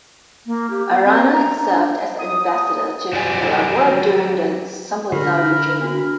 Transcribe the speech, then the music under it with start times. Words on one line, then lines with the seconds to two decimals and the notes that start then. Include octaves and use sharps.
Arana had served as the ambassador to Nicaragua during the Somoza regime.
0.46 A#3
0.70 G4
0.90 B3
1.04 C4
1.32 A#5
1.61 D4
2.19 D#6
3.13 F#3 F#4 G4 D5 G5 G#5
5.12 D3 G4 A#4 B5
5.81 D4 F#4